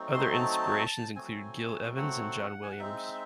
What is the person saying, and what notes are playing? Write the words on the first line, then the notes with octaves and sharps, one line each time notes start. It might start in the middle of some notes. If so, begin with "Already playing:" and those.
Other inspirations include Gil Evans and John Williams.
Already playing: F#3 A3 C4 D#4
C6
A5
F#3 A3 C4 G#5
F#5
G#5
F#5
G#3 C4 D#4 E5